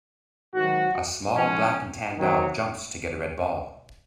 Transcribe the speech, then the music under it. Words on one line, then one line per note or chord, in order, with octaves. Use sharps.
A small black and tan dog jumps to get a red ball.
G#2 D#3 F#3 F#4
G#2 F3 C#4
C3 D#3 F#3